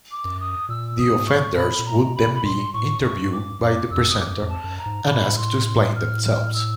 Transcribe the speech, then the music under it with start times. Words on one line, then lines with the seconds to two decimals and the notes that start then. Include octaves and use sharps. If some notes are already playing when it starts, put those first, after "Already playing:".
The offenders would then be interviewed by the presenter and asked to explain themselves.
0.11 D6
0.25 F#2
0.40 D#6
0.69 A#2 E6
0.98 D#6
1.12 G#2
1.27 C#6
1.56 A#2 B5
1.79 A#2
1.86 A#5
2.01 B2
2.15 B5
2.23 C3
2.34 B5
2.44 A#2 C6
2.73 A2 C#6
3.02 G2 C#6
3.24 G#2
3.31 G2 D6
3.61 F#2 D6
3.90 F2 E6
4.09 D#6
4.19 F#2 D6
4.42 F2
4.48 A5
4.64 F#2
4.78 A#5
4.86 G#2
5.07 A2 B5
5.36 C6
5.66 C6
5.95 F6
6.24 F6
6.53 E6